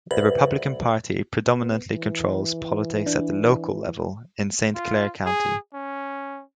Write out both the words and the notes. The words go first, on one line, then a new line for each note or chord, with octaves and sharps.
The Republican Party predominantly controls politics at the local level in Saint Clair County.
C2 B4
B3
E3
D4
F4
G#4
C#4